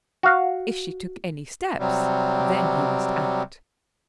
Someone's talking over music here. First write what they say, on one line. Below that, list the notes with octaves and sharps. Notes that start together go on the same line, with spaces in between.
If she took any steps, then he must act.
F#4 F5
C3 F#3 G3